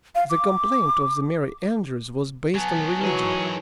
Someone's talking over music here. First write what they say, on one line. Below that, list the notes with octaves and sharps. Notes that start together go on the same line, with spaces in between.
The complaint of the merry-andrews was based on religion.
F5
D6
F#3 B3 G#5 A5
D#3 E3 F#3 G#4 C#5